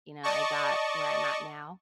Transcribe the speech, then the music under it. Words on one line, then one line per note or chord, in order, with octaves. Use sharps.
you know, I got where I'm at now,
D5 D#5 A5 C#6